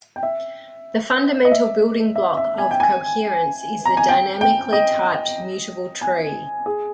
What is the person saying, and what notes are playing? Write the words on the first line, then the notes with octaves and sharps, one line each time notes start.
The fundamental building block of Coherence is the dynamically typed mutable tree.
G5
E5
D#5
E5
E5
E5
G#5
G5
G#5
A#5
G#5
G5
G5
D#5
G#5
G#4